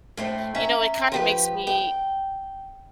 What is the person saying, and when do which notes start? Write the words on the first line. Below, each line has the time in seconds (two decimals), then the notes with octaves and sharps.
You know, it kinda makes me
0.17 A2 A3 C4
0.55 C#4 E5 A#5
1.12 F3 G4 B4
1.67 G5